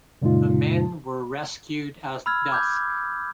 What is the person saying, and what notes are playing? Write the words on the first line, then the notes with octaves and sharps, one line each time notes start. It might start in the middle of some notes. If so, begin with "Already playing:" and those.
The men were rescued at dusk.
F#2 A#2 C#3 G#3 D#4 F4
B5 E6 F6 G#6
D6 G6 G#6